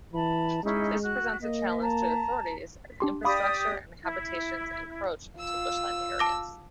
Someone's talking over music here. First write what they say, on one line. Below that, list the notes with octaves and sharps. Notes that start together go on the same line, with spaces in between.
This presents a challenge to authorities as infrastructure and habitations encroach into bushland areas.
E3 A5 B5
G#3 C#4 D#4 E4
F#4 F#6
A#3 D#5
A5 A#5
D4 G4 C6
G4 D5 F5 B5 D6 D#6
E4
F4 E6
A5 D6 A#6